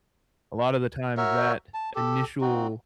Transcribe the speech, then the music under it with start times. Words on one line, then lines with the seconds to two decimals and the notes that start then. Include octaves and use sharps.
a lotta the time that initial
1.17 F#4 A#4 C#5 E5
1.74 A5
1.95 G4 A4
2.41 C4 D#4 F#4